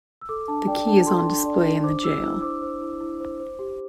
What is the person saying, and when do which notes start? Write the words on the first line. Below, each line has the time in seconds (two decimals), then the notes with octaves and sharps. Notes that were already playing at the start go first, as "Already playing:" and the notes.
The key is on display in the jail.
0.21 E6
0.29 A4 D6
0.48 D4 A5
0.67 D5 G5
0.87 D4 A5
1.07 A4 C6
1.26 D4
1.45 D5
1.65 D4
1.84 C5 D6
2.00 D6
2.03 E4 E6
2.23 E4 E6
2.42 C5 D6
2.62 C5
2.82 E4
3.00 E4
3.20 C5
3.40 C5
3.59 G4